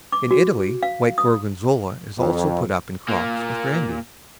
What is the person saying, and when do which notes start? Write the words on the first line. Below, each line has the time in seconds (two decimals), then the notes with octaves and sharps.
In Italy white Gorgonzola is also put up in crocks with brandy.
0.12 D6
0.31 F#4
0.83 F5
1.18 D#6
2.19 F2
3.08 A#2 A#3